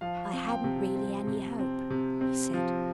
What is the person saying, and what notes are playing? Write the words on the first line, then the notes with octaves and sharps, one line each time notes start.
'I hadn't really any hope,' he said.
F3 F5
C4
G5
C3
C4
C3
C4
C3
C4
F3